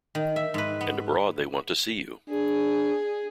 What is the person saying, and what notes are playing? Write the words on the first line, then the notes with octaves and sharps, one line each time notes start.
And abroad they want to see you.
D#3
E5
G#2 B4
B3
D4 G#4